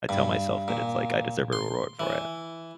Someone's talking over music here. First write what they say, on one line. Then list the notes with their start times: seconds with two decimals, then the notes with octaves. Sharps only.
I tell myself that it's like, "I deserve a reward for it."
0.09 G2
0.68 A#2
1.53 C6
1.99 E3